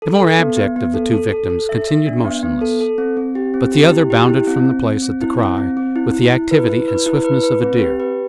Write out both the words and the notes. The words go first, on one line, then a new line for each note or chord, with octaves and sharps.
The more abject of the two victims continued motionless; but the other bounded from the place at the cry, with the activity and swiftness of a deer.
A4
A4
B3
B3
B3
A4
A4
A4
A4
E5
E5
D4
B3
B3
A4
A4
C4
C4
G4
C4
G4
E4
G4
E4
C4
C4
C4
C4
E4
C4
C4
C4
E4
E4
E4
B4
E4
B4
E4
B4
B4
C4
G4
B4